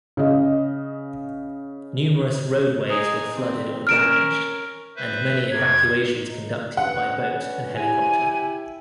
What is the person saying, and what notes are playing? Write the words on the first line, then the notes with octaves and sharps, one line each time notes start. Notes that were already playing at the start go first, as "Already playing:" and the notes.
Numerous roadways were flooded or damaged and many evacuations conducted by boat and helicopter.
C#3 D#5
D#4 G#4
C4
C#4 A#4 F6 D7 E7
B4 C5 E5
F2 C3 G#6
D#4
D2 C#4 B4 F#5
E4 G4 G#5